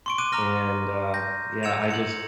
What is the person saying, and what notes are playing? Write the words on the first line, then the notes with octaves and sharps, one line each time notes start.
and uh, yeah, I just
C6 C#6 D7
D6 F#6 D7 D#7
A#5 C6 D6 F6 A#6
G6 A#6
E6 G#6 C#7 E7 F7
C#7 F#7